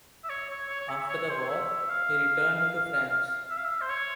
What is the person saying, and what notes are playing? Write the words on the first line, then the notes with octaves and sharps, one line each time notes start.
After the war, he returned to France.
E5
C#5
C#5
C#5
C#5
E5
E5
C#5
C5
C#5
E5
F5
E5
F5
E5
C5
C#5